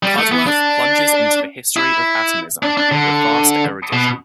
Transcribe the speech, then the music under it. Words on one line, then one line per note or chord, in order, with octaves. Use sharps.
Cudworth plunges into the history of atomism with vast erudition.
G3
A3
B3
D4
E4
D4
D4
D3
B2